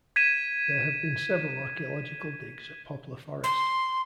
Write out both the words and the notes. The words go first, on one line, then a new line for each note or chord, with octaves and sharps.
There have been several archaeological digs at Poplar Forest.
G#6 B6 D#7 E7
C6